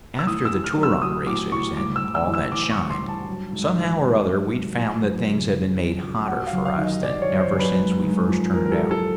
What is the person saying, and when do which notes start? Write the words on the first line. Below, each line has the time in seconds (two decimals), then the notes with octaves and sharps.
After the Turon races and all that shine, somehow or other we found that things had been made hotter for us than ever since we first turned out.
0.19 E6
0.26 A2 D#6
0.45 E6
0.52 A2
0.64 F6
0.77 F#3
0.83 E6
1.02 F#3 D#6
1.27 A2 D6
1.52 A2 C#6
1.77 G2 D6
1.96 E6
2.02 G2
2.15 E6
2.27 E3
2.34 E6
2.52 E3 D6
2.71 C#6
2.77 G2
2.90 C6
3.02 G2
3.09 A5
3.27 F#3
3.52 G#2
3.77 D#3
4.02 G#2
4.27 F#3
4.53 G#2
4.77 F3 G#5
5.03 F#2
5.28 C#3
5.52 F#2
5.78 F3
6.03 F#2
6.28 F#3 F#5
6.47 F5
6.53 F#2
6.65 F5
6.78 D#3
6.84 D#5
7.03 F#2 D5
7.22 C#5
7.29 F#3
7.40 C5
7.53 F#2
7.59 B4
7.78 G#2
8.03 G#2
8.28 F3
8.53 F3 A#4
8.66 A#4
8.72 A4
8.78 G#2
8.91 A4